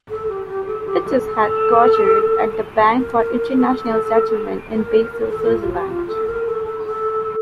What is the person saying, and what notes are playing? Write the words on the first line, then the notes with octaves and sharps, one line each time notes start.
It is headquartered at the Bank for International Settlements in Basel, Switzerland.
A4
G4
G4
A4
G4
A4
A4
A#4
A#4
A#4
A4
A#4
A4
F4
F4
G4
F4
A4
A#4
A4
A4
A4